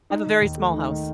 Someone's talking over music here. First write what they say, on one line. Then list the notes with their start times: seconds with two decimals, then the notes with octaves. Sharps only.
I have a very small house.
0.10 D#4
0.26 D#3
0.42 D#2
0.58 A3
0.74 D#4
0.91 D#3